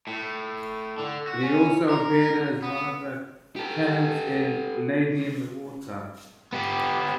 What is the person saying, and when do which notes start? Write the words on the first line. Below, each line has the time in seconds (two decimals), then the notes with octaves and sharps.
He also appeared as one of the tenants in "Lady in the Water".
0.07 A2
0.98 D3
1.27 F#4
1.43 C#4
1.89 A#4
2.63 B3
3.56 G4 A4
6.53 B3 G4